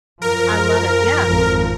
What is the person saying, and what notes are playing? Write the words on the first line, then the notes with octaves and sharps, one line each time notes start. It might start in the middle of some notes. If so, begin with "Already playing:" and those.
I love it, yeah,
F#2 F3 A#4
G#1 F2 F3